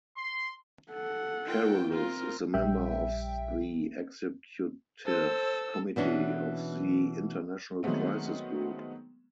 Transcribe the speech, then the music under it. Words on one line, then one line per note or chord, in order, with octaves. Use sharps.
Carolus is a member of the Executive Committee of the International Crisis Group.
C6
A4 F#5
D#3 F4 G5
C4 F4 A#4
A#1 G3 E5 G5
A4 C5 E6
B2 E3 C#4 D4
D#3 F#3 G#3 A3 B3 C4